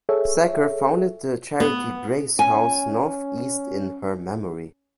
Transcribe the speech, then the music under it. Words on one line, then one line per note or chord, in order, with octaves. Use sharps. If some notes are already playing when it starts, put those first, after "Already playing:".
Secker founded the charity Grace House North East in her memory.
G#4 A4 C#5 E5
B3
C#4 G#5